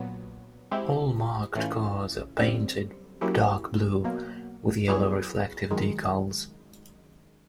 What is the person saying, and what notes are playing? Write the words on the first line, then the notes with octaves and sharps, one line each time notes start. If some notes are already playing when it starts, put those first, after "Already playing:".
All marked cars are painted dark blue with yellow reflective decals.
Already playing: A#2 F#3 B3
G#3 C4 E4 G4
A2 E3 A3 C#4 F4
F#2 D3 G3 C4
F#3 A#3 C#4 E4 G4
B2 F#3 A#3
F#3 B3 E4 G#4 C#5
F#2 D#3 G#3